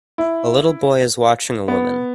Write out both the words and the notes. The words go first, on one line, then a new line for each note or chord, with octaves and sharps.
A little boy is watching a woman.
E4
B3